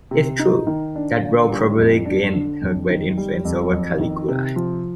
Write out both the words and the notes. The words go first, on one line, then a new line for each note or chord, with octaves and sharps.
If true, that role probably gained her great influence over Caligula.
C3
D#4
D#3
D4
D3
G3
F2
D4
D3
F2
D#3
G3
F2
F2
D#3
C3
F3